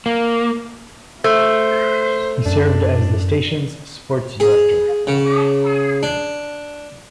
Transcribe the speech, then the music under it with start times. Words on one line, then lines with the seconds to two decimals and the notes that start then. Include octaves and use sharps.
He served as the station's sports director.
0.06 A#3
1.24 A3 C5
2.46 F#2 D4
4.40 G#4
5.07 C#3
6.03 D4